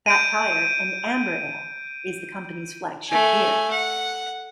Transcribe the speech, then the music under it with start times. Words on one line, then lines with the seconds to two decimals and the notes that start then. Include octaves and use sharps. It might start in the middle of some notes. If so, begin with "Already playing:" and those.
Fat Tire, an amber ale, is the company's flagship beer.
0.06 G6 D7 D#7
3.08 A3 G#5
3.71 F#5